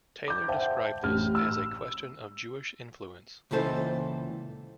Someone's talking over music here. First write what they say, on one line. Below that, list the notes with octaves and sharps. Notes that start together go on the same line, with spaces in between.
Taylor described this as a question of Jewish influence.
D6 G6
C5 E5 F#5 G5 A5
A1 A2 G4 F6
E6
C#2 A#2 E3 A4 C5